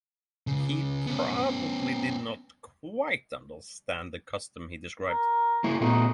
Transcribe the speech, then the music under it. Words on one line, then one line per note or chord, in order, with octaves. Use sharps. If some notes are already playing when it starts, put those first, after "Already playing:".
He probably did not quite understand the custom he described.
C#2 C#3
B3 C#4
A#4
A#3 E4
A#2 A3 B3 D#4